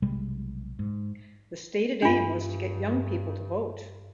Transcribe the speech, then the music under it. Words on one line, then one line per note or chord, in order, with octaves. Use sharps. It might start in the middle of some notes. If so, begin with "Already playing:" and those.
The stated aim was to get young people to vote.
B1 C3 G3 G#3
G#2
G2 D4 F4